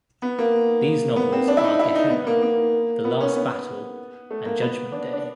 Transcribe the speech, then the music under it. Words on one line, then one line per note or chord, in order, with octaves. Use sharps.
These novels are "Gehenna", "The Last Battle", and "Judgment Day".
B3
A#3
B3
C4
D4
E4
D#4
E4
D#4
B3
A#3
A#3
B3
C#4
B3
A3
A#3
B3
D4
D4